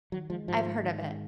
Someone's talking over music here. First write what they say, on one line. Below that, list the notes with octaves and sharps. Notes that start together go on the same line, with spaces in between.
I've heard of it.
D#3 F#3
F3 G#3
G#2 F3
G#2
D#3
G#3